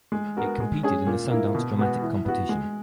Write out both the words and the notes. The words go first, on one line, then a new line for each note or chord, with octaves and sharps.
It competed in the Sundance Dramatic Competition.
G#3
B3 F#4 A#4
G#3
C#4 G#4
A#2
A#3 E4
B2
G#3 B3 F#4
E3
B3 F#4
G#3